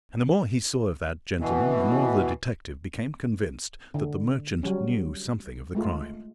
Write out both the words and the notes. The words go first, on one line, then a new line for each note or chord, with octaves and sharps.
And the more he saw of that gentleman the more the detective became convinced that the merchant knew something of the crime.
B2 E3
D3
F#3 G3 C#4
G#3 A3 F4